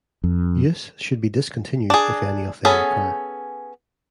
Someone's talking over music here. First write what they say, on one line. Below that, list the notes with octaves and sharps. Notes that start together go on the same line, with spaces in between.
Use should be discontinued if any of them occur.
F2
D4 G#4
B3 C#4 G#4 A4